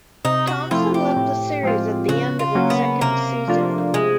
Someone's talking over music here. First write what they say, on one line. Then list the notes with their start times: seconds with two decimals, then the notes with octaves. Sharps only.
Thompson left the series at the end of its second season.
0.25 C3 D#4
0.47 F#4
0.71 F3 A3 C4 E4 F4
0.94 G4
1.16 A2
1.63 F3 G#3 C4 F4
2.08 C#3 F#4
2.39 F4
2.55 F#3 A#3 C#4 F#4
2.70 B3
3.01 C3 A#3
3.48 F3 A3 D4 F4
3.94 C3 G#3